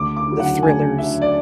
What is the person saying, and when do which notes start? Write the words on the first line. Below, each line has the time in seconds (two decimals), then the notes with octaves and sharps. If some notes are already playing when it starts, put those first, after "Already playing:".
the thrillers,
Already playing: D2 D6
0.16 D6
0.28 D3 F#3
0.40 F#5
0.63 D2 G#5
0.98 D3 F#3 E5
1.22 D5